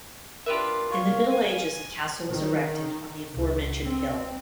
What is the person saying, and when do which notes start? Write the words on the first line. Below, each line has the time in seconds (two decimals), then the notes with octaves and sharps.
In the Middle Ages, a castle was erected on the aforementioned hill.
0.46 D4 F4 G4 A#4 B4 E5
0.91 C#5 F5
1.29 G#5
2.28 D#3
3.35 C#2
3.83 C4